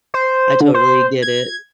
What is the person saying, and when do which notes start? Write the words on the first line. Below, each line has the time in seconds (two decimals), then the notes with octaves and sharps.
I totally get it.
0.14 C5
0.61 D3
0.74 C5
1.22 G#6